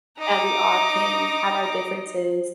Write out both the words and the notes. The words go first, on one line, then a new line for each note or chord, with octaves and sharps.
That we all can have our differences,
D#4 A#5 D6